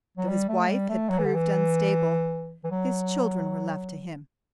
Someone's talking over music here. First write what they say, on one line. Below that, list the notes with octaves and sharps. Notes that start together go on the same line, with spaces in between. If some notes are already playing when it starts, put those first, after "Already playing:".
Though his wife had proved unstable his children were left to him.
F#3
G3
A3
G3
A3
F#3
E3
D3
E3
E3
F#3